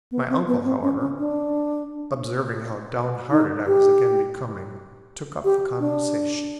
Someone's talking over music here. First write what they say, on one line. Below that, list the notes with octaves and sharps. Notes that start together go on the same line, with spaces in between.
My uncle, however, observing how downhearted I was again becoming, took up the conversation.
B3
C4
B3
C4
C#4
C#4
D4
D#4
G4
G4
D4